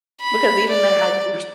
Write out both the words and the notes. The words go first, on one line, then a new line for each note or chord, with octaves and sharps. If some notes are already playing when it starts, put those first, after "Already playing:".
because even though I used
B5
D5